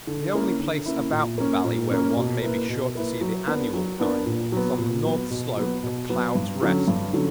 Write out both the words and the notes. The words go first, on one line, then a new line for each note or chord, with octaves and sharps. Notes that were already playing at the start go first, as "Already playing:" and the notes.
The only place about the Valley where one may be sure to see the annual kind is on the north slope of Clouds' Rest.
D3
A#3 C#4 E4
D3
A#3 C#4 E4
A#2
A#3 C#4
A#2
A#3 C#4
B2
A#3 E4 B4
B2
A#3 E4 B4
F#3
B3 D4 A#4
F#3
B3 D4 A#4
A#2
F#3 B3
A#2
F#3 B3
B2
F#3 B3
B2
F#3 B3
G2
D3 F#3 C#4
G2
D3 F#3 C#4